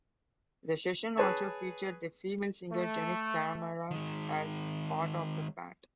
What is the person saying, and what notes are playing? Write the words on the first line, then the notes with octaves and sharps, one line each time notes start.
The session also featured the female singer Jenne Camara as part of the band.
G#4 B4 C#5 A5 C#6
A3
D#3 G#3